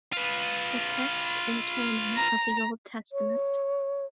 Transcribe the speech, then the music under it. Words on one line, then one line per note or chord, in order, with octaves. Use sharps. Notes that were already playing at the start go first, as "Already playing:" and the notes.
The Text and Canon of the Old Testament.
F4 B4
A#5
C#5